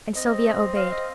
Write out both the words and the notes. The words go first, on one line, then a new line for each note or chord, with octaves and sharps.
And Sylvia obeyed.
C4 D#5
F5
D#5